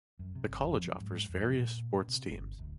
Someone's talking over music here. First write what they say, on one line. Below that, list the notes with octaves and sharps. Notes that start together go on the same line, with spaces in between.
The college offers various sports teams.
F#2
C3
G1
F2
F#3
G#2
F2
A#2
C3
G1
D1